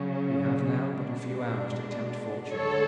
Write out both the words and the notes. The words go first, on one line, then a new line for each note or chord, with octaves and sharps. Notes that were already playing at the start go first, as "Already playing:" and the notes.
You have now but a few hours to tempt fortune.
Already playing: C#3 F#3 C#4
B2 G#3 D4
D2 D3 G#3 A4 C#5